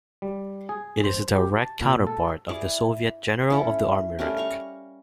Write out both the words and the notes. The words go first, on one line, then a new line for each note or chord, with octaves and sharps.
It is a direct counterpart of the Soviet "General of the army" rank.
G3
G#4
C5
G4
A5
A#2
A4
E4 G#4 D5
C#4 E4 A4
G3 A3 C#4 A#4
F5 A#5 C#6